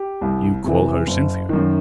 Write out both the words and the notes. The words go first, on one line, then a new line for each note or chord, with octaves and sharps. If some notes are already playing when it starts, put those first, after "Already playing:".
"You call her Cynthia?"
Already playing: G4
C2
C3 E3
F#1
F#2 D#3